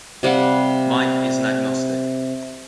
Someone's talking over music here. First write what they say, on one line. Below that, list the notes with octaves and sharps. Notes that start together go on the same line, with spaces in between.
Mike is an agnostic.
C3 G3 F5 F#5